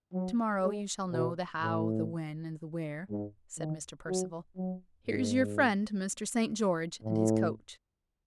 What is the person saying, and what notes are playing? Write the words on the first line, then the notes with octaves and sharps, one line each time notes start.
"To-morrow you shall know the how, the when, and the where," said Mr. Percival: "here's your friend, Mr. St. George, and his coach."
F#3
G#3
B2
A2
G#2
D#3
F#3
F#3
G#2
A2